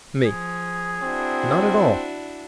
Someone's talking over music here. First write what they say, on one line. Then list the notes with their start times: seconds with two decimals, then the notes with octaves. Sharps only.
ME: Not at all.
0.25 F3 G#4
1.02 C4 D4 E4 F#4